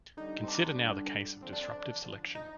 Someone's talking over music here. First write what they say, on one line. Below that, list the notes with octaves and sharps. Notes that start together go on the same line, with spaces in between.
Consider now the case of disruptive selection.
D3 G3 D#4
C4
D4
D4
D3 G3
D3 F3 C4
D4
D4
D4
D3 F3
D#4